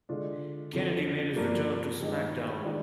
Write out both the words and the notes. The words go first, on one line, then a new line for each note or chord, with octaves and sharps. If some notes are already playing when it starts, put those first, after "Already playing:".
Kennedy made his return to SmackDown!
D3 G#3 D4 F4
F2 D3 F3
G2 F3 A#3 D4
G2 D#3 G#3 D#4
D#3 G#3 D4 F4